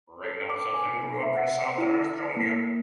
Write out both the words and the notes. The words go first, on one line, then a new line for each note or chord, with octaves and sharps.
Rein Otsason grew up in southern Estonia.
A4
D6
G#5
E5
F#5
E4
A#3